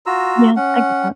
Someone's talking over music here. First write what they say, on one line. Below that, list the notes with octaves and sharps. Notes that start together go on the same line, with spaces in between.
Yeah, I get that.
F4 F#4 A#5 E6
C#4 F#5